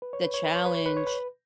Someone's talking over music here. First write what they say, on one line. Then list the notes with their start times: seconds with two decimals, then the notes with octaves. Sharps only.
The challenge.
0.02 B4
0.13 C#5
0.24 B4
0.34 C#5
0.45 B4
0.55 C#5
0.65 B4
0.75 C#5
0.86 B4
0.97 C#5
1.07 B4